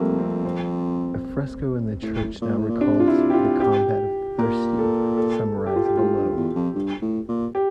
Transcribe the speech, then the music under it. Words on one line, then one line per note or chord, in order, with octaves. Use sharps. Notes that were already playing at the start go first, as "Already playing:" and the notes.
A fresco in the church now recalls the Combat of the Thirty summarized below.
Already playing: F2 G3 A3 A#3
C4
C4
A2
A#2
A2
A#2
C3 D4
F4
E4
G4
F4
G4
A#2 A#4
A4
A4
A4
G4
F4
G4
A2 F4
G2
E2
F2
G2
A2
A#2
G4